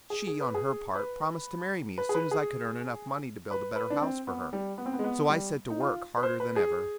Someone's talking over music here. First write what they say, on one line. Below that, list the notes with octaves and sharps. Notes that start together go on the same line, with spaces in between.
She, on her part, promised to marry me as soon as I could earn enough money to build a better house for her; so I set to work harder than ever.
G#4
G#4
B4
G#4
B4
B4
G#4
B4
G#4
B4
B4
D4
C4
B3
G3
B3
C4
B3
G#3
B3
G3
D#4
F4
B4
C5
B4
G#4